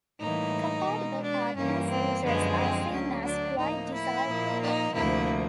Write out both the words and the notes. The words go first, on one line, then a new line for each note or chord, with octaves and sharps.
Compatible Partners' users are seen as quite desirable.
A2 E3 G3 A#3 D#4
B2 G#3
D4
G2 E3 G3 A#3 C#4
C4
F#2 D3 F3 G#3 B3
C4
D2 D3 F#3 C#4
D4
A2 F3 A#3 D#4
E4
A#2 F3 A#3
D#4
D2 C3 F3 A#3 E4